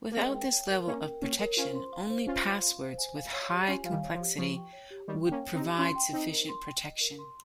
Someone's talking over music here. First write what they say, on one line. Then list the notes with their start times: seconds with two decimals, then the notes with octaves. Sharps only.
Without this level of protection, only passwords with high complexity would provide sufficient protection.
0.12 A#3
0.17 G#3 C4 A#4
0.35 G5
0.52 C#5
0.70 A#4
0.88 A#3 C#4 A#4
1.05 G5
1.22 A#3 C#4 C#5
1.40 A#4
1.57 C#4 F4 C5
1.75 C6
1.92 F5
2.10 C5
2.27 C#4 F4 C5
2.45 C6
2.63 F5
2.80 C5
2.98 G#5
3.16 F5
3.33 C#5
3.51 G4
3.67 C#4 F4 G#5
3.84 F3 F5
3.91 D#3 G3
4.03 C#5
4.14 F3
4.20 G4
4.38 F3 C#6
4.56 G5
4.73 C#5
4.91 G4
5.08 D#3 G3 C#6
5.26 G5
5.31 A#3 C#4
5.43 C#5
5.55 C4 D#4
5.61 G4
5.78 C#4 F4 C6
5.96 G5
6.13 C4 D#4 D#5
6.31 A#4
6.49 C6
6.66 G5
6.84 D#5
7.01 A#4
7.19 C6